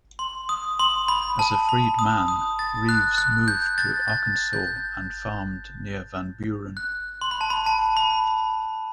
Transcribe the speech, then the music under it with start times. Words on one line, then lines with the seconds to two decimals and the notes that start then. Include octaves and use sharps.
As a freedman, Reeves moved to Arkansas and farmed near Van Buren.
0.19 C6
0.49 D#6
0.79 C6
1.08 B5
1.39 A5
1.69 B5
1.99 D#6
2.28 D#6
2.59 A6
2.89 F#6
3.18 F#6
3.48 G6
3.78 A6
4.08 A6
4.53 G6
6.77 F#6
7.21 C6
7.31 B5
7.41 A5
7.50 B5
7.66 A5
7.97 B5